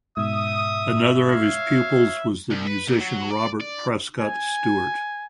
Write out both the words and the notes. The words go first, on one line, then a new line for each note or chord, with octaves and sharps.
Another of his pupils was the musician Robert Prescott Stewart.
G#2 B2 E5 D#6
C#5 F5
C2
B4
A#2
F#3
D5
D5
G#5